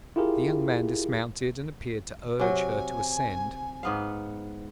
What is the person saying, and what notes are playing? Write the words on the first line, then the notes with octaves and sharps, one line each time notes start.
The young man dismounted, and appeared to urge her to ascend.
E4 F4 G4 G#4 A#4
C3 F#3 G#5
G#2 B3 F5